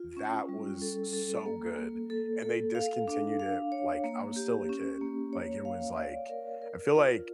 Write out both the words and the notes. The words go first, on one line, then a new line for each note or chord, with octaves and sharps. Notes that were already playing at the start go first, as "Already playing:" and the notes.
that was so good, and they discontinued it, like I was still a kid, like, it was like I feel like
Already playing: F4
C#4
G3
A4
A4
A#3
A#3
A4
A4
F5
D4
F5
C#5
A#3
G4
C#4
A#3
C#5
F5
D5
A#4
A#4
F4